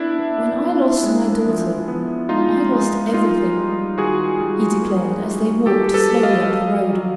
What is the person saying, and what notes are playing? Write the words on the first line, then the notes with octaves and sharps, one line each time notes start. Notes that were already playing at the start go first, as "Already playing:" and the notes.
"When I lost my daughter, I lost everything," he declared, as they walked slowly up the road.
Already playing: B3 D4 E4
B3
B3
G#3
F3
B3
G#3 D#4 F4
G#3
A#3 D#4 F4
G3
D#3 F#4 G#4
G3
A#3
G3
G3 G4 A4
A4 B4
G3
D#5 F5
F#3
F#3